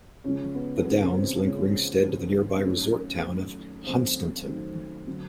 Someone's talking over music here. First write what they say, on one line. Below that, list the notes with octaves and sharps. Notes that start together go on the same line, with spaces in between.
The downs link Ringstead to the nearby resort town of Hunstanton.
C#3 F3 G#3 C#4
B3
C#3 F3 G#3 B3
C#4
C4
C#3 F3 G#3 C#4
C#3 F3 G#3
C4
D#3 F#3 A3 C#4
D#3 F#3 A3
D#3 F#3 A3 C4
D#3 F#3 A3
D3 F#3 A3